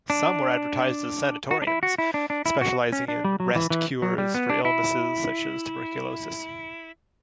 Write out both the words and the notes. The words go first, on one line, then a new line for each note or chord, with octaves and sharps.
Some were advertised as sanatoriums, specializing in rest cures for illnesses such as tuberculosis.
D4
F#4
D4
E4
F#4
E4
D4
D4
E4
F#4
C#4
D4
G3
F#3
E3
E3
F#3
G3
B3
D4
E4